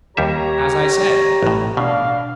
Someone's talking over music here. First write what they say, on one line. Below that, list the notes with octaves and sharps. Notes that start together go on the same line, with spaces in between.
"As I said."
D#2 G3 G4 C#5 E5 A#5
A1 A2
B2 D4 F5